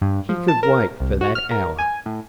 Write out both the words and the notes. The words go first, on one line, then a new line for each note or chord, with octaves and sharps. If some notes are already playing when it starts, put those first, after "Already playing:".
He could wait for that hour.
G2
F3
A5
A#4
C2
F#4
F6
A#4
G#5
A2